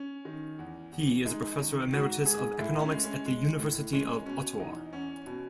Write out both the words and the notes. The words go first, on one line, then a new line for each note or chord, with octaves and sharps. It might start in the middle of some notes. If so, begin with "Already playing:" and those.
He is a professor emeritus of economics at the University of Ottawa.
Already playing: C#4
D#3
E2
E2
G#3 D#4
D#3
G#2 F#4
G#2 G#4
A2 E4
C#4
G#3
C#4
G#3
A2
G#3 C#4
B2 C#4
E2 D#4
E2 C#4
B2